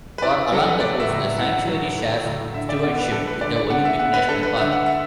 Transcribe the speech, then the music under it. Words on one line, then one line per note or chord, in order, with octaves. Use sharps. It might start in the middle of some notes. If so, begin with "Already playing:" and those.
For along the coast, the sanctuary shares stewardship with the Olympic National Park.
B4
E4 D5
F#3 A4
B4
A3 D5
E5
A2
E5
E4 F#5
F#3
A3
A2
D3 E5
D5
B3 D5
B4
D4 A4
B4
D3 D5
D5
D3 F#5
E5
B3 F#5
B4
D4 A4
B4
D3 E5
F#5
E5